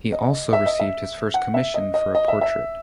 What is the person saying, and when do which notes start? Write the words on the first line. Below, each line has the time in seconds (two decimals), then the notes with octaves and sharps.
He also received his first commission for a portrait.
0.12 D#5
0.53 E5
0.66 D#5
0.80 E5
1.34 F#5
1.54 E5
1.74 D#5
1.94 D#5
2.15 D#5
2.28 E5
2.41 E5